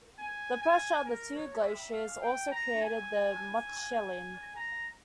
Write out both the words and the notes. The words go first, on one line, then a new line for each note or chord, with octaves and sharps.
The pressure of the two glaciers also created the Mutschellen.
G#5
G#5
A#4
C#5
E5
F5
G5
A#5
G#5
A#5